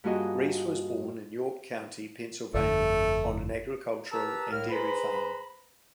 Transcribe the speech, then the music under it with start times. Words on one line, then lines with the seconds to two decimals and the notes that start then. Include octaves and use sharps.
Reese was born in York County, Pennsylvania on an agricultural and dairy farm.
0.04 G2 A#3 F4 F#4 G#4 D#5
2.54 G1 F2 D3 A3
4.12 G4 A#4 B4 A5 A#5 E6
4.52 C2 A2 A#4 F5 F6
4.71 G#4 B4 C5 A#5 B5